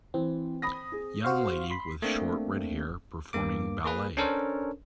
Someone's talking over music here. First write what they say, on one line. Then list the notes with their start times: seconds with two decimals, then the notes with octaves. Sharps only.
Young lady with short redhair performing ballet.
0.14 E3 C4
0.62 B5 D#6 A#6
0.92 G#4
1.25 F#4 C5 F5 C#6
1.70 B5 C6
2.02 A3 A#3 C4 D4
3.33 G2 A#3 D6
3.85 A#3 G#4 B4
4.17 C#4 D4 A4 A#4 C5 C#5